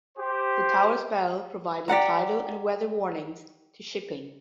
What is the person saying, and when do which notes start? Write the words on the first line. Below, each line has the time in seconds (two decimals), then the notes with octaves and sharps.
The tower's bell provided tidal and weather warnings to shipping.
0.18 G4 C5
1.88 G4 D5 F#5 A#5